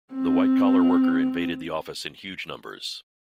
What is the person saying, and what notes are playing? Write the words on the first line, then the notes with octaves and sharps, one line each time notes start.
The white-collar worker invaded the office in huge numbers.
C4